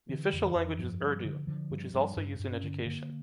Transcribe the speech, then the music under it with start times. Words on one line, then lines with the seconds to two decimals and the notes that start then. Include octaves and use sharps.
The official language is Urdu, which is also used in education.
0.09 D3 E3
0.33 F2
0.44 E3
0.55 F2
0.79 G2 F3
1.01 G2
1.25 D3
1.47 D3 F3
1.70 G2
1.94 G2
2.16 G2 D4
2.39 G2
2.52 C#4
2.63 D3
2.86 D3 A#3